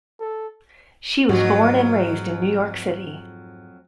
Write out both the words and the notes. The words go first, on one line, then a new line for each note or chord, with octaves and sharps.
She was born and raised in New York City.
A4
F2 G#2 F3 F#3 A3 F#4